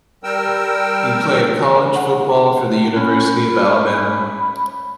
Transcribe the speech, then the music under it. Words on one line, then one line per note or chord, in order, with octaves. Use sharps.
He played college football for the University of Alabama.
G3 A#4 G5 E6
F#5
C#4 B5